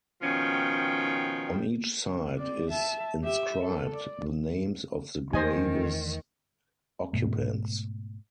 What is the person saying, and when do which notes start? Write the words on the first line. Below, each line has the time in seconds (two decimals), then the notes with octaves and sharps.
On each side is inscribed the names of the grave's occupants.
0.22 B2 D#3 F3 C#4 G5
2.38 C4 D5
2.70 E5 A5
3.24 G4 E5
3.60 A4
3.93 D5
5.33 E2 D#3 A3 C5 D#5 G#5
7.13 G#2 B2 A3